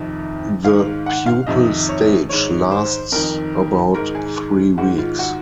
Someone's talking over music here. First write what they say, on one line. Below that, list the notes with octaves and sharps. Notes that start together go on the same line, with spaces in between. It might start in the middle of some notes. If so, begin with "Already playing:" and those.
The pupal stage lasts about three weeks.
Already playing: F2 C3 D#3
G#2 D#3 F5
F#5
F5
F2 C3 D#3 D#5
C#5
G#2 D#3 C#5
C5
F2 D#3 A#4
G#2 D#3 A#4
G#4
G#2 D#3 F#4
F4
F#4